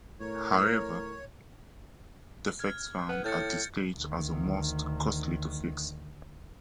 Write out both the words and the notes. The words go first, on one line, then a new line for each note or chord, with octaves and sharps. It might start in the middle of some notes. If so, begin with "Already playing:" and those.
However, defects found at this stage are the most costly to fix.
A2 A#4 C#5
F6 G#6
B3
A2 G6 A6 C#7
D2 D#3